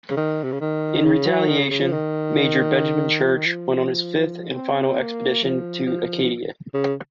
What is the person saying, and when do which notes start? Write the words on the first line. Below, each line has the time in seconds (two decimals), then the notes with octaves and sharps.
In retaliation, Major Benjamin Church went on his fifth and final expedition to Acadia.
0.10 C#3
0.17 D#3
0.43 C3
0.52 C#3
0.61 D#3
1.05 C#3
1.26 F#3
1.48 D#3
1.59 C#3
1.71 C#3
1.81 F3
1.93 D#3
3.24 F3
3.35 D#3
3.46 F3
4.50 C#4
4.55 C4
4.99 A#3
5.43 F3
5.86 F3
6.74 C#3